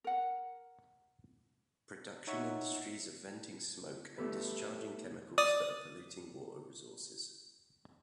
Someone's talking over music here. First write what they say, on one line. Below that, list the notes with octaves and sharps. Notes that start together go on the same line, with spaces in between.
Production industries are venting smoke and discharging chemicals that are polluting water resources.
A#4 F#5
D#4 C#5 E5 F#5 C#6
A3 B3 G4 A4 B4
D5 D#6